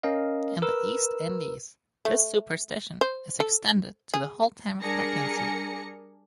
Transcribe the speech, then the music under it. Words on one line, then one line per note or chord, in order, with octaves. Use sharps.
In the East Indies this superstition is extended to the whole time of pregnancy.
C#4 A#4 D#5 F5
A#4 B4 E6
A3
C5
A4
G#4
G3 D4 G#4 A#4 A#6 C#7